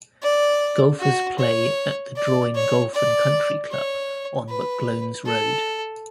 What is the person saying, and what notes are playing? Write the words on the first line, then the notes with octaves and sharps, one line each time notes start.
Golfers play at the Drouin Golf and Country Club on Mcglones Road.
D5
F#4
C#5
D5
C#5
D5
C#5
B4
A4